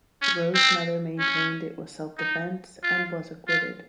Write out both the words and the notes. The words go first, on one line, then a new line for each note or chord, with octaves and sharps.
Rhodes mother maintained it was self-defense, and was acquitted.
C#4
C4
C#4
D#4
F4
F4